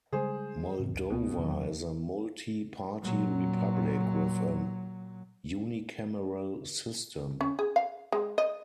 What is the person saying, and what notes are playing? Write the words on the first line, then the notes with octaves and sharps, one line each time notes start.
Moldova is a multi-party republic with a unicameral system.
C#3 G3 G#3 G#4 C5
G#2 C3
D#1 C2
C#2 B2
E2 D#3 F#3
A#2 F#3
C#4
G#4
F5
G#3
D#5